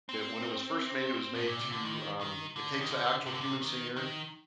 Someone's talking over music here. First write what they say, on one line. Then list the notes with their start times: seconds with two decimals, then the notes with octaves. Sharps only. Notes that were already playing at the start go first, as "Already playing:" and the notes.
that when it was first made, it was made to, um it takes the actual human singer
0.09 C4
1.35 A2
1.47 A#2
1.60 C3
1.72 D3
1.85 D#3
2.21 D#3
2.56 D3
2.81 D#3
2.90 D3
3.26 C3
3.34 D3
3.41 C3
3.62 D#3
3.96 D#3